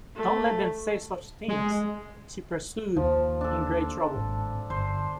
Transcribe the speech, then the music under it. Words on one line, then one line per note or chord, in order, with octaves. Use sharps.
'Don’t let them say such things,’ she pursued in great trouble.
A3
G#3
D#2 F3
D4 A4
G#1
G1 C5